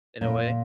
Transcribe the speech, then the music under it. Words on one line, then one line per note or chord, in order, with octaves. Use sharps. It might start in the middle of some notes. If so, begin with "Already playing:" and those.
in a way.
A#2